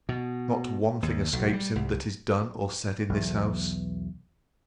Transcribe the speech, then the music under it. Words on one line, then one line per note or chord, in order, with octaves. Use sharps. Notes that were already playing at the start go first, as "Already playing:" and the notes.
Not one thing escapes him that is done or said in this house.
B2
D#2
B1
G3
C2
B1 E2